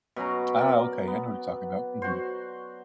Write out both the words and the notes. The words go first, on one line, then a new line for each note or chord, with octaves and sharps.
Ah, okay, I know what you're talking about. Mhm.
B2 F#3 C#4 A#5
A#4 D5
B3
F#4 C5